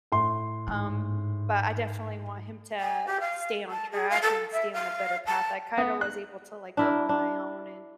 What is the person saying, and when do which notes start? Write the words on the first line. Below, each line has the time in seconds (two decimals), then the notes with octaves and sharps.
Um, but I definitely want him to stay on track and stay on a better path. I kind of was able to, like, go on my own and
0.12 A2 C6
0.68 G#2
2.80 G#5
3.07 G4
3.20 F5
3.71 A5
3.92 G#4
4.10 F5
4.22 A4
4.52 E5
4.73 F5
5.26 A5
5.78 B3
6.01 F#6
6.77 D4 E4 A#4
7.09 D4